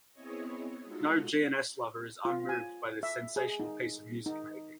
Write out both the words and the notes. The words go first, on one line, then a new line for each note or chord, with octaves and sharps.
No G and S lover is unmoved by this sensational piece of music making.
B3 C4 E4 G#4 C#5 D#5
G#3 D#4 F4 F#4 A4
F4
G#5
E5
G#4
D#4
D#4